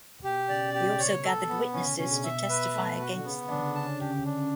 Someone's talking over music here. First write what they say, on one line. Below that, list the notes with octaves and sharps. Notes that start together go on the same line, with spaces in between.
He also gathered witnesses to testify against them.
B2 G4
C#3 D5
B2 G4
C#5
A4
B3
C#3 C#4
D3
B2 C#4
C#3
B2 E5
B4
A3
F#4
D3
C#3 B3
D3 D4
C#4 A5
G4
D4